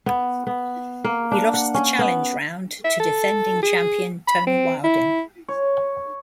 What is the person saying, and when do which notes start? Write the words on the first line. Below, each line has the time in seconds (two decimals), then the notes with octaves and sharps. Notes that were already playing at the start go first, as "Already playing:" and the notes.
He lost the Challenge Round to defending champion Tony Wilding.
0.06 B3
0.47 B3
1.04 A#3
1.32 D4
1.54 F#5
1.74 C#4
1.99 B3
2.84 E5
3.00 A4
3.63 G#4
4.27 B5
4.47 C4
4.84 E4
5.48 C#5